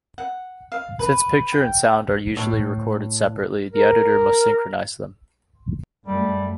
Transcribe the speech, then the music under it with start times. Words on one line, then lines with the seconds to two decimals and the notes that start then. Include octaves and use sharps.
Since picture and sound are usually recorded separately, the editor must synchronize them.
0.18 F#5
0.72 F5
0.99 B4
1.52 G5
2.37 A2
3.74 A#4
6.07 F#2 G3 A3